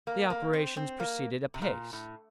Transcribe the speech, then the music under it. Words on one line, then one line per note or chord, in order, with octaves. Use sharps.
The operation proceeded apace.
A#3
A#3
C4
C4
A#3
C3
A#2
A2